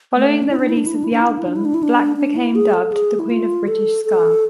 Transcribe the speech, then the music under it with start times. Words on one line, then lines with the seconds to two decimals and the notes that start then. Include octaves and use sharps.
Following the release of the album, Black became dubbed the Queen of British Ska.
0.17 A3
0.43 D4
0.51 E4
0.59 D4
0.69 E4
0.77 D4
0.86 E4
0.95 D4
1.04 E4
1.13 D4
1.22 E4
1.30 D4
1.39 E4
1.47 D4
1.56 E4
1.65 D4
1.74 E4
1.83 D4
2.17 D4
2.36 E4
2.55 G#4
2.74 A4
2.92 G#4
3.19 E4
3.30 F4
3.68 A4
4.05 A4